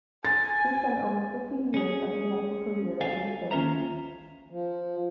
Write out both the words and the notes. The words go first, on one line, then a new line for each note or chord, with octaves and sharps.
He spent over fifty years of his medical career at Leipzig.
G#5 A6
C#4 G#4
A4 F5 G#5
D#2 C#4 F4 E5 A#5
F3